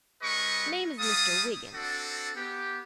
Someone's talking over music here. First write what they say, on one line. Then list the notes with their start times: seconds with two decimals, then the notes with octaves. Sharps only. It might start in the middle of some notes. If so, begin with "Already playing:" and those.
"Name is Mr. Wiggins."
0.22 G3 C4 G#4 B4 D#5 C#6
0.99 G3 E4 F5 A5 D#6
1.74 C4 D4 F#4 A4
2.36 B3 G4